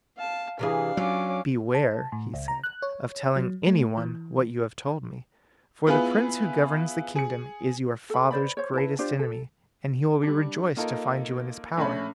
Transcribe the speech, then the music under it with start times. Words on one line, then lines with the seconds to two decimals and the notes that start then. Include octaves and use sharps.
"Beware," he said, "of telling any one what you have told me, for the prince who governs the kingdom is your father's greatest enemy, and he will be rejoiced to find you in his power."
0.17 F5 A5
0.59 C3 E3 D4 G#4 F5
0.97 F#3 C#4 F4 D6
1.75 A5
2.12 A2
2.34 C#2
2.48 A#5
2.64 F#6
2.82 C#5
3.36 F#3
3.66 A3
3.97 E3
5.87 B3 E4 F4 G#4 B4
7.16 G#4 C#7
8.10 A4 B5
8.31 B4 C5 D5 B5
8.57 C5 C#5
8.73 E4 B4 A5
8.99 D4 F4 G4 C5
9.19 A4
10.23 G3 D4
10.77 A#3 D#4 F4 A4 A#4
11.77 A#1 A3 C#4 B5